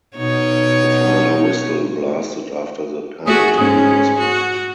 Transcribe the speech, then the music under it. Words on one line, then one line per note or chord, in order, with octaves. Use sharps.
The final whistle blasted after the penalty was made.
B2 D#4 C#5
A3 F#4 G#4
G#2 C#4 G#4
F#4